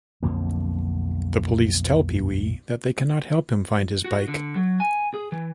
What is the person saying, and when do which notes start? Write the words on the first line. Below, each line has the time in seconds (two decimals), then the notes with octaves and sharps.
The police tell Pee-wee that they cannot help him find his bike.
0.23 B1 F2 D3 A#3
4.04 F#4
4.28 D3
4.56 F#3
4.80 G#5
5.14 G#4
5.32 E3